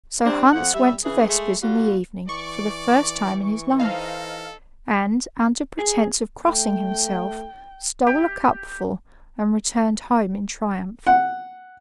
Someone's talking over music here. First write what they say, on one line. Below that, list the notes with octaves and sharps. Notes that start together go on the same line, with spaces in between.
So Hans went to vespers in the evening for the first time in his life and, under pretense of crossing himself, stole a cupful and returned home in triumph.
G3 C4 D4
F2 F3 F#5
G3 E5
C#3 E3 G#4
G#3 A3 G#4
A#2 G3 F4 F#4
E3 D5 C#6 D6
D#4 A4 C5 D#5 F5
G#4
A3 G5
G4
F#5